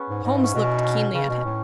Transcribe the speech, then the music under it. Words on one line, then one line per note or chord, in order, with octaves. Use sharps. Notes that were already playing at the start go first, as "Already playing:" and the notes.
Holmes looked keenly at him.
Already playing: B3 C#4 G#4
G#2
G#2 D#4
E4
C#4
B2 B3
C#4
D#4
C#4
C#3 C#4
B2
A2